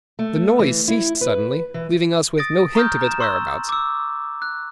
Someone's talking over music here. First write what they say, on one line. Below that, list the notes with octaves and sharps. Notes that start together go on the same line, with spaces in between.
The noise ceased suddenly, leaving us with no hint of its whereabouts.
A3
E3
E4
B4
E3
D#6 A6 A#6 D7
A#5 C#6 D#6 F6 G6
A#5 E7
C6 C#6 E6
D6 E6
F#6